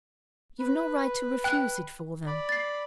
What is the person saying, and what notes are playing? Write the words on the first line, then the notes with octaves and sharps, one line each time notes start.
You've no right to refuse it for them.
B4
G5 F#6
D5 B5
A6 C7